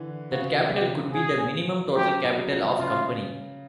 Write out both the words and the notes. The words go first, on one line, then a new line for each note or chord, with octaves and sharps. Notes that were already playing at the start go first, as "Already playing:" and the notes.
That capital could be the minimum total capital of company.
Already playing: D3 E3
C#3 F#4
B2
C3
G4
F#3
G#4
F#3 G4
F#3
F3
C#3 F4